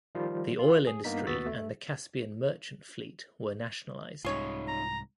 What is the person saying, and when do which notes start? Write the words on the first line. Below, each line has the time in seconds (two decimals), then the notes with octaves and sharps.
The oil industry and the Caspian Merchant Fleet were nationalized.
0.15 D#3 F3 G3 F4
0.59 F4
0.87 G#4
1.04 G2 A#3 B3 D#4 B6
1.27 D#2 B3 F#4 E6 A6 B6
1.47 A3
4.25 C2 G#2 D#4 F4 G#4 C#5
4.68 A#5